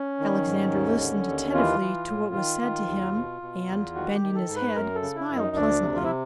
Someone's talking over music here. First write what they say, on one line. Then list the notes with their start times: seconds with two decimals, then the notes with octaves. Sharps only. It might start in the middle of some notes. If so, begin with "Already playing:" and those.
Alexander listened attentively to what was said to him and, bending his head, smiled pleasantly.
Already playing: C#4
0.20 D#3
0.47 G#2
0.73 D#2
1.00 D3
1.27 D#2
1.54 E3 F4
1.81 E3
2.07 A2
2.35 D#3
2.62 D#3
2.88 D#2
3.15 B2
3.42 B2
3.69 E2
3.95 D#3 F#4
4.15 G4
4.22 D#3
4.35 A4
4.48 G#2
4.56 B4
4.76 F#2 A#4
4.95 A4
5.02 C#3
5.16 E4
5.29 F#2
5.36 D#4
5.56 D2 D4
5.83 C3
5.96 F4
6.04 E4